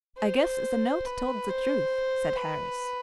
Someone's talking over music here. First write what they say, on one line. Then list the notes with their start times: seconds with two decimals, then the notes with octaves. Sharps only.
"I guess the note told the truth," said Harris.
0.18 C5
1.06 B4
1.49 C5
2.36 B4